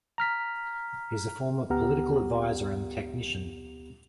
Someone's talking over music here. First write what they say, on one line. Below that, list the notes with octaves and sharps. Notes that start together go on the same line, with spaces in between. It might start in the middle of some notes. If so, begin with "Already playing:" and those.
He is a former political advisor and technician.
A#5 F6 B6
D2 B3 G4 F#5 A#5 F6